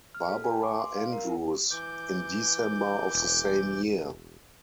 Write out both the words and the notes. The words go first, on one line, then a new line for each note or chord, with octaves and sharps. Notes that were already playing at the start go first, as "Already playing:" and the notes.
Barbara Andrews, in December of the same year.
F6
A4
G#5
D6
C6
F5
A#4
E4
E3 D6 G6
E1